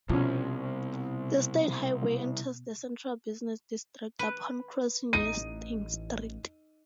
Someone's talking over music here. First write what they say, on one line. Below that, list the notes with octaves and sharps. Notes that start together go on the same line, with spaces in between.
The state highway enters the central business district upon crossing Yeasting Street.
C2 B2 F3 C#4
B4
A1 D#4 D#7